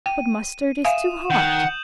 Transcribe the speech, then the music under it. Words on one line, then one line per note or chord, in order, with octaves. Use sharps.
"But mustard is too hot."
G5 D#7
E5 F5 G#5 D#6 E7
D#3 F#5 G6 F#7